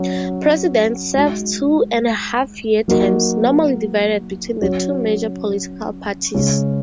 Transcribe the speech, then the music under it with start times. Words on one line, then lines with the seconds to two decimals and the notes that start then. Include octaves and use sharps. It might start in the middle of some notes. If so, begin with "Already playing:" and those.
Presidents serve two-and-a-half-year terms, normally divided between the two major political parties.
Already playing: F#3 C#4
1.14 G#3 D#4 F#4
2.88 F#3 A#3 D#4 F#4 A#4
4.61 F#3 C#4 F#4 C#5
6.34 C#3 G#3 C#4